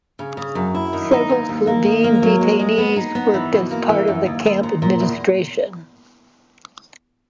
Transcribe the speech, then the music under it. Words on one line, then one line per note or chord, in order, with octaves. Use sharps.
Several Slovene detainees worked as part of the camp administration.
C#3
C#3
F#2
E4
D#3
D#4
D#2
D#2
A#3
D#3
A#3
F#3
G#3
G#3
B3
D#4
B3
E3
B2
A#3
E3
F#2
D#2
D#2
A#2
A#2
E2